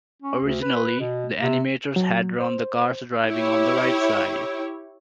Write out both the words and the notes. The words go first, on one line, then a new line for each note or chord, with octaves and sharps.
Originally, the animators had drawn the cars driving on the right side.
C#4
D2
B4
B2
C3
F#3
C5
E4 G4 C#5